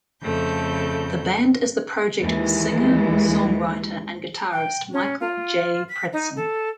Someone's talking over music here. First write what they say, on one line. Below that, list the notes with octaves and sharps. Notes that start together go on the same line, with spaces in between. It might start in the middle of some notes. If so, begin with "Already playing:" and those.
The band is the project of singer, songwriter and guitarist Michael J. Pritzl.
F2 C#3 A3 A4 G6
D#2 E3 G#3
G5
C#4
F4
B6
D#4
A4